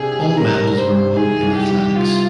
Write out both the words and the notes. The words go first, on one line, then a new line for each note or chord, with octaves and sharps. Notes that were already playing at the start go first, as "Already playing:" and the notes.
All medals were won in athletics.
Already playing: C3 D4 G#4
G4
G3 A#4
D4
C5
C3
D#3 G#4
C2
G4
C2
C3 F4